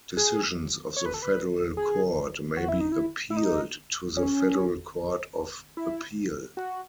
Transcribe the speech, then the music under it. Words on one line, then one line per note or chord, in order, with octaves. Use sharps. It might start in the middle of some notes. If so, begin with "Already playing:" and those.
Decisions of the Federal Court may be appealed to the Federal Court of Appeal.
G#4
C#5
B4
A4
B4
G#4
F#4
E4
D#4
E4
E4
D#4
C#4
E4
F#4